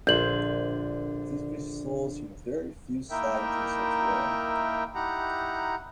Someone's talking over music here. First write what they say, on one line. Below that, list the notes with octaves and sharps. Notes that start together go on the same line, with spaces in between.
This results in very few sightings of them.
A#1 D3 C5 G6 F#7
A#3 D#4 E4 A#4 E5 G5
D#4 E4 G4 F#5 A#5